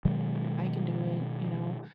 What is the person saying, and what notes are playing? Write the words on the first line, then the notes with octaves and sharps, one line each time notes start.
"I can do it," you know?
B2 D#3 F#3 G#3